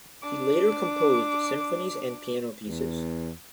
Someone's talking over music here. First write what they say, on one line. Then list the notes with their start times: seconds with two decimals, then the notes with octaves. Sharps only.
He later composed symphonies and piano pieces.
0.22 D4 D6
2.68 E2